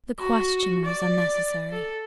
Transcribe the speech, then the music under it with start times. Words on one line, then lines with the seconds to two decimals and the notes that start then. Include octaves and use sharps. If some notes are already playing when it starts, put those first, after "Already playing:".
The question was unnecessary.
0.19 F#4
0.85 D5
1.71 A4